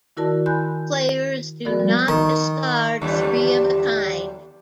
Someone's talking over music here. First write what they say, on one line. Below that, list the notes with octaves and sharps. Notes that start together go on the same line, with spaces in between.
Players do not discard three of a kind.
D#3 E4 F#4 A#4 D5 A5
G#5 B5 C6 F#6 G6
F3 B3 F#4 A#4 D5
G3
D#3
D#2 D3 G3